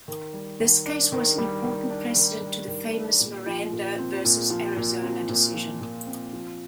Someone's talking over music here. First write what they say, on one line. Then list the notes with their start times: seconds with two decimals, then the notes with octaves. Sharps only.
This case was an important precedent to the famous "Miranda versus Arizona" decision.
0.08 D#3
0.33 G3
0.60 D#3
0.86 D4
1.12 D#3
1.38 G3
1.64 D#3
1.90 D4
2.16 D#3
2.42 G3
2.68 D#3
2.94 D4
3.19 A#2
3.46 F3
3.72 A#2
3.98 C4
4.25 A#2
4.50 F3
4.77 A#2
5.02 C4
5.29 A#2
5.54 F3
5.80 A#2
6.06 C4
6.32 F3